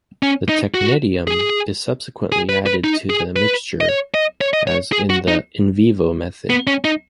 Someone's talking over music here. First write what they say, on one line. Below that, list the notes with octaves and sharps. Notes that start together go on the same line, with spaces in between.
The technetium is subsequently added to the mixture as in the "in vivo" method.
C#4
D#4
F#4
G#4
G#4
B4
B4
D#4
G#4
B4
D#5
C#5
D#5
C#5
D#5
C#5
G#4
F#4
D#4
B3
C#4
D#4